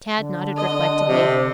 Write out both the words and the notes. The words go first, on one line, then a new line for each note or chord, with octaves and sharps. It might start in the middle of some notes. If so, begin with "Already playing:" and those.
Tad nodded reflectively.
D3
D#5
C3